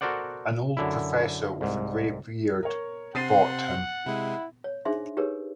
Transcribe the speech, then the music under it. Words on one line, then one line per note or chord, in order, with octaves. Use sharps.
An old professor with a gray beard bought him.
F#4 A4 A#4 C5 D5 F#5
F#2 D3 E4
C2 G#2
A#4 C#5
C3 C4 F#5 C6 A6 C7 D#7
C3 G#3 E4
C#5
D4 D#4 G#4 C5 E5 C6
D#4 G4 G#4 A#4 B4 C#5